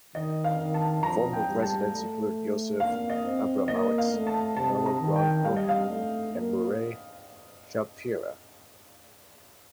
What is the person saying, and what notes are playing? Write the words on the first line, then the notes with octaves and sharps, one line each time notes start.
Former presidents include Yosef Abramowitz, Pamela Braun Cohen, and Morey Schapira.
D#3 D#5
F5
D#3
A5
F3 A#5
G5
G3
A5
A3
A#3 F5
D#5
C4
A#3 D#5
F5
A3
A5
C3 A5
A#5
D#3
G5
G3 F5
D#5
F5
A3
A#3